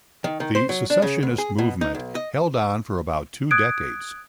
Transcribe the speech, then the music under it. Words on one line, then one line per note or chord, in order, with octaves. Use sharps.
The secessionist movement held on for about two decades.
D#3
D#3
C5
F#3
D4
C#3
D2
G#4
B2
D#4
B1
D#5
D#6 F#6 G#6 D7